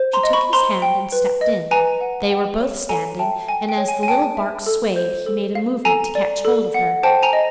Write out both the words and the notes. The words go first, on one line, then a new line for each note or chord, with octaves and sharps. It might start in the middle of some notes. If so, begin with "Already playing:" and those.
She took his hand and stepped in; they were both standing, and as the little bark swayed he made a movement to catch hold of her.
Already playing: C5
A#5 C6
D#5
B5 C#6
C5 A#5 C6
G5
B4
D#5
B4 G#5 A#5
F#5
G5
C#5
A4 G#5 A#5
E5 G5 A5
G5 G#5
G5
C#5
G#5
G#5
G#4 G5 A5
E5
A4
C5
A4
F5
A4 G#5 A#5
D5
A4
F#5
C5 G5 A5
G#5 A#5
D#5